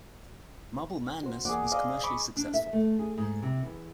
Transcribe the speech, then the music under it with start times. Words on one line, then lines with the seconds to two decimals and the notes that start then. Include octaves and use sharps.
"Marble Madness" was commercially successful.
1.23 F#4 C5
1.45 E2 A#3 G#4 D5 F#5
1.72 C5 D5 D#5 F5
2.03 B5 C#6 D6
2.36 D4
2.54 E5
2.73 A3
2.99 G#4
3.18 G#2
3.42 C3
3.63 E2